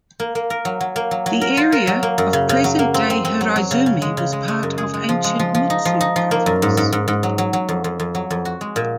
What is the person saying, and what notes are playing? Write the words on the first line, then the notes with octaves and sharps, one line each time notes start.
The area of present-day Hiraizumi was part of ancient Mutsu Province.
A#3
A#3
A#4
F#3
F#3
A#3
F#3
F#3
A#4
F4
A#4
F#3
A#3
F#2
C#3
C#3
F#3
A#3
C4
C4
C4
F#3
F#3
C#3
C#3
G#3
C#3
G#3
G#3
F#2
G#4
G#3
F3
G#3
F3
F3
D#4
F3
D#4
F3
A#3
F#2
G#2
G#2
G#2
G#2
F#3
F#3
F#3
F2
F2
F2
F#3
F2
F#4
G#3
A#2